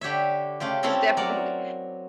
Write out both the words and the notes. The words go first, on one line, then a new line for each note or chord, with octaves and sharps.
It's definitely
D3 G4 C#5 E5
C#3 A3 F4 G4
A3 C4 C#4 E4 A4
F#3 A#4 D5 F#5